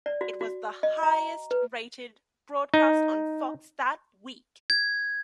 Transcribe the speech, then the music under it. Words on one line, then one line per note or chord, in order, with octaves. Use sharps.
It was the highest-rated broadcast on Fox that week.
D5
F#4
F#4
D#5
A#5
B4
D#4
G#6